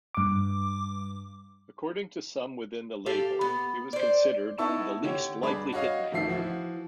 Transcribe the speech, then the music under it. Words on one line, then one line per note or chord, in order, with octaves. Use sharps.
According to some within the label, he was considered "the least likely hit maker".
G2 D6
G4 A4 F5
B3
C5 D5
B3 D#4 E4 A5 C#6 E6
D3 G4 C#5
G2 D4 G#4 B5
F#4 C#5 D#5 F5
D1 D#3 F3 E5 C7
E3 F3 F#4